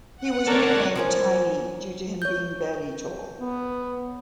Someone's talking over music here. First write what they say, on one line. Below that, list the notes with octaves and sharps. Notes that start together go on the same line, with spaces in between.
He was nicknamed "Tiny", due to him being barely tall.
F#5
D#3 A3 A4 A#4 C#5 D5
F3 C#4 A#4
C#5 G6
B3